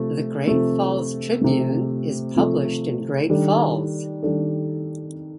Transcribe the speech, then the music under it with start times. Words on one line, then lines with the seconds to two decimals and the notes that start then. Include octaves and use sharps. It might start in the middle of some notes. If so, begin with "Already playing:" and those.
The "Great Falls Tribune" is published in Great Falls.
Already playing: C3 F3 A3
0.47 C3 F3 A3
1.41 C3 F3 A3
2.36 C3 F3 A3
3.29 D#3 G3 D4 A4
4.23 D#3 G3 D4 A4